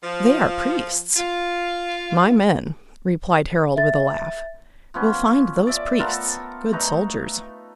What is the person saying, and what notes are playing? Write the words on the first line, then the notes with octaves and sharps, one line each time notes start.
They are priests.' 'My men,' replied Harold, with a laugh, 'will find those priests good soldiers!'
F3
F4
E5 A6
F3 B3 C#4
D5 E5
B3 F4 A4 A#4
A3 D#4 B4 A#5